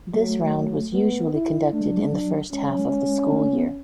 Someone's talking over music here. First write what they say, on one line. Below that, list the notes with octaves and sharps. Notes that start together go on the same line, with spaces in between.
This round was usually conducted in the first half of the school year.
F#3 A3
B3
E4
A3 D4
G#3
F#3
G#3
F#3
G#3 C#4
F#3
G#3
G#3
A3
B3